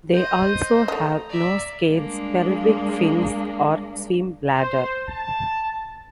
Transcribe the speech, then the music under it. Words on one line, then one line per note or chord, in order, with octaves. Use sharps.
They also have no scales, pelvic fins or swim bladder.
C5 D#5 G6
A3 D#5 A#5
D5 E5
G3 G#3 A#3 D4
C5
A5